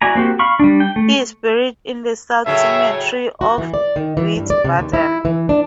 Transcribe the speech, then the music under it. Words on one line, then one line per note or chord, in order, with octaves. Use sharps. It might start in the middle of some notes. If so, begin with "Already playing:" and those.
He is buried in the South Cemetery of Wiesbaden.
E4 F#4 D5 G#5 A#5
A#3 C4 F#4 G4
F5 B5 C#6
G3 D4
G5
A3
A2 C#3 F#3 E5
F#4
E3
D5
D#3
E3
G2
D5
C3
D#2
E4
E3
D4